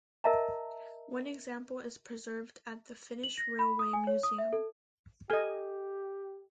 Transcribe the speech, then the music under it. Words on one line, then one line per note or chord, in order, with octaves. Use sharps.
One example is preserved at the Finnish Railway Museum.
A#4 D#5 E5 A5 A#5
F#7
A#6
B5
D#6
G#5
C#5
D#6
E5
A4
G4 A4 D#5 G#5 F6